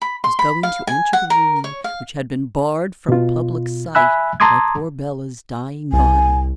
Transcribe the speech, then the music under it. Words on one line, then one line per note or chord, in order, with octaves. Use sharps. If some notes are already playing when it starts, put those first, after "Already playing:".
She was going to enter the room which had been barred from public sight by poor Bela's dying body.
B5
C6
B5
F5
G#5
F#5
A#4
C#5
F5
B2 F4
E5 G#5 B5 E6 F#6
A5 A#5 C6 D6 D#6 G#6
C2 G#5